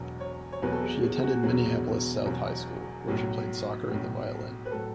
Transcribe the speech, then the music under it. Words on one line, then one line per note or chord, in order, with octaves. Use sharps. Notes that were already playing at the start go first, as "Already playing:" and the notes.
She attended Minneapolis South High School, where she played soccer and the violin.
Already playing: E1 E2 B2 F#3
C#5
C#5
E1 E2 B2 F#3 B4
A4
G#4
G#4
F#4
E1 E2 B2 F#3 G#4
E1 E2 B2 F#3
B1 A2 F#3
B1 A2 F#3
B4
A2 F#3 A4